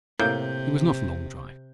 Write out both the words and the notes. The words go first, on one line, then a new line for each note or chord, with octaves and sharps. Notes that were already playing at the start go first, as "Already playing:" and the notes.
It was not a long drive.
A2 C3 A#3 G6